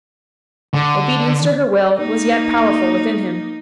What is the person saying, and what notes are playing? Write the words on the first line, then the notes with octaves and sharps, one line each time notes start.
Obedience to her will was yet powerful within him.
D3
A#3 D#4